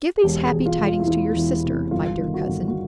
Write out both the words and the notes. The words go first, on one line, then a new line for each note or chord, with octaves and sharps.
Give these happy tidings to your sister, my dear cousin.
E1 G4
G#4
E1
F4
E1
F4
E4
E2 F4
E1 E4
C3 E4
G1 F4
D#3
F#4
G1
F#4